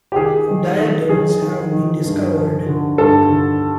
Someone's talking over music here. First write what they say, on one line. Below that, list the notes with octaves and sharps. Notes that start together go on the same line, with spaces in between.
Diadems have been discovered.
G4
D#3 G#4
D#3
D#3
D#3 G#4
D#3
D#3
G2
F3
D3
G2 A4
D3